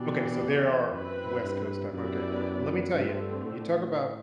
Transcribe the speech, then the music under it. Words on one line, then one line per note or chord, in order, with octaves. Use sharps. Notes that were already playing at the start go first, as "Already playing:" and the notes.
Okay, so, there are West Coast time, okay. Lemme tell ya, you talk about
Already playing: B2 E3 B3 D4 G4 D5
E2
F#2 C4 E4 B4
G2
F#2 B3 E4 G4 B4 D5
G2 D3 A3 C4
A2